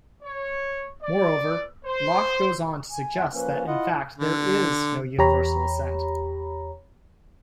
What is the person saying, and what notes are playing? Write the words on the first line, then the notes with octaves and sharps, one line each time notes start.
Moreover, Locke goes on to suggest that in fact there "is" no universal assent.
C#5
D5
C5
G#5
E2 F4 E5
F3 A#3 C#4 B4
E4 F4 D#5 F#5
D3
E2 G4 C#5 A#5 B5